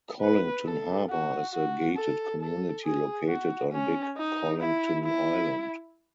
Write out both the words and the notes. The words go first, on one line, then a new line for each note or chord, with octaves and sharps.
Colington Harbour is a gated community located on Big Colington Island.
B4
A4
F#4
F#4
A4
A4
G#4
F#4
C#4
D#4
E4
E4